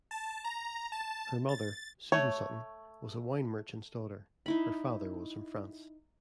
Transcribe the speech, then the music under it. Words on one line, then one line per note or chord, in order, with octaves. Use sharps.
Her mother, Susan Sutton, was a wine merchant's daughter; her father was from France.
A5
A#5
A5
A6
A3 C#5
D#4 E4 B5